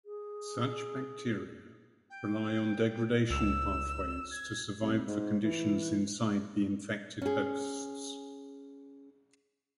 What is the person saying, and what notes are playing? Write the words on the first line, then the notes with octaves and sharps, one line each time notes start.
Such bacteria rely on degradation pathways to survive the conditions inside the infected hosts.
G#4
G5
C#2 E6
G#6
C2
G#2
E3
C#4 G#4